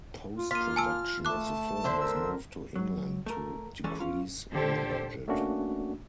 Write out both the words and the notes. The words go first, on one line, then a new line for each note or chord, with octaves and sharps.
Post-production of the film was moved to England to decrease the budget.
F4
A#3 F4 F6 B6 D#7
G#5 A5 E6
A3 A5 D6 F#6
D3 C5 E5
A#4 E6
F#3
A3 A#4
E3 G#3 A3 C#4 A4 C#5
C#4 F4
A#2 D3 G4 A4 C5
A3 A#3 C#4 D4 F#4